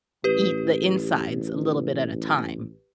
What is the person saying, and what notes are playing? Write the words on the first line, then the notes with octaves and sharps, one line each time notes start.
eat the insides a little bit at a time
A1 G4 B4